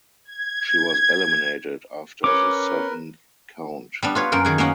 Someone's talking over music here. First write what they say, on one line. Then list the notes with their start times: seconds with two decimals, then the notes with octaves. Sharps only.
She was eliminated after the seventh count.
0.25 G#6
2.24 C#4 A#4 B4 C#5 D6
4.02 G3 B3 D4
4.15 F4 B4 C#5
4.32 F#2 A#3 A#4 G5
4.45 D#3 G#4 F#5
4.58 A#3 B3 C#4 F#5